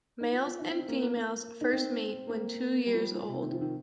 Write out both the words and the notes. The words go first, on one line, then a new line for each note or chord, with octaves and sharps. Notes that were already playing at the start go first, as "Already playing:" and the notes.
Males and females first mate when two years old.
D#4
F4
F4
D#4
C4
D#4
A#3
A#3
A#3
D#4
C4
A#3
G3
F3
G3
F3
C3
D#3
F3
D#3